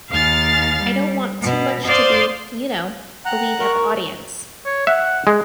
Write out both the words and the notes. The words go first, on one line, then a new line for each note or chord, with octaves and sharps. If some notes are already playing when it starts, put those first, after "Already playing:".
I don't want too much to be, you know, a wink at the audience.
D#2 F5 F6 A6
G3
B2
C5 D5 F5 C6 D#6
F#5 G5 A#5 F#6
A#4 C#6
C#5
E5 F#5
G#3